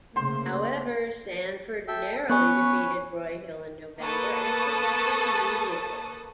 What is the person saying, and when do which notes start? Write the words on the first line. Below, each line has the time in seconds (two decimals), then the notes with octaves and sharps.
However, Sanford narrowly defeated Broyhill in November and took office immediately.
0.16 C#3 A3 A#3 C5 C6
1.88 A4 E5 G5
2.30 B3 C#4 B4 C#5 G#5 C#6 F#6
4.00 A#3 A4 B4 A5 C#6 D#6